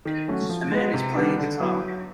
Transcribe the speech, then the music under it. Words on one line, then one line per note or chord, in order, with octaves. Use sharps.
A man is playing a guitar.
D#3
F#3 A3 C#4 F#4
F3
G#3 B3
C3
D#3 G3 B3 D4
D3
F#3 B3 E4
F#3